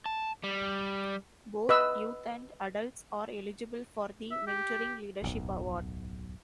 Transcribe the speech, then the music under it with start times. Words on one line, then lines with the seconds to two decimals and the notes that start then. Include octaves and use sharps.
Both youth and adults are eligible for the Venturing Leadership Award.
0.06 A5
0.44 G3
1.69 B4 D#5 E6
4.31 E5
4.47 G4
5.22 D1 B1 F#2